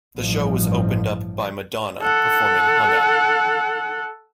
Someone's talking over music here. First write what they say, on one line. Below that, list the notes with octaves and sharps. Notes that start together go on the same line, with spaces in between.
The show was opened by Madonna, performing "Hung Up".
A1 G2 F3
A4 F#5